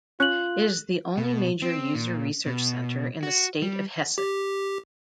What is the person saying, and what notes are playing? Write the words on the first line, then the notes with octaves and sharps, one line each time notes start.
It is the only major user research center in the State of Hesse.
C#4 F4 F#6 F#7
B2
C4
A#2
B2
F#4
G3
G4